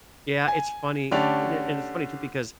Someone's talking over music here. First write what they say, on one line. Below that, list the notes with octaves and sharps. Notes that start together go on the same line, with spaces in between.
Yeah, it's funny and i it's funny too because,
G#5
D3 A3 C#4 G4 D5 F7